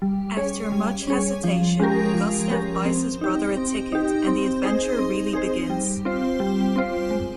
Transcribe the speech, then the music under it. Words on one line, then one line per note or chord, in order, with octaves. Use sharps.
After much hesitation, Gustav buys his brother a ticket and the adventure really begins.
G3
C#4 G#4 C#5
G3
C#4 G#4 C#5
F3
G#3 C#4 G4 A#4
F3
G#3 C#4 G4 A#4
C4
D#4 G4
C4
D#4 G4
C4
D#4 G#4 C5
C4
D#4 G#4 C5
G3
C4 F4 C5
G3
C4 F4 C5
G#3